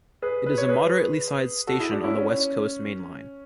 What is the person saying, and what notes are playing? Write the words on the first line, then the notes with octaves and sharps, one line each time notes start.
It is a moderately-sized station on the West Coast Main Line.
G#4 B4
B4
C#5
G#4 B4
F#4 A4
E4 G#4
D4 F#4
C#4 E4
C#4